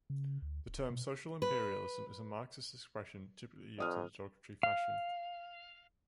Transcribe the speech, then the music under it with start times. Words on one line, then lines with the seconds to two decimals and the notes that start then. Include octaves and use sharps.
The term "social imperialism" is a Marxist expression, typically used in a derogatory fashion.
0.10 C#3
0.42 D2
0.68 D1
0.90 B2
1.42 B4
3.78 F2 D5 D#6 F6
4.63 F5